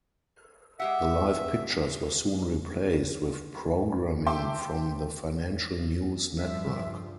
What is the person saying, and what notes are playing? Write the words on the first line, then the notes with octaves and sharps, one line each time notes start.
The live pictures were soon replaced with programming from the Financial News Network.
G#3 G4 E5 F#5
E5 G5 A5 C6 D6
G2 F3 G3 F4 G4 E5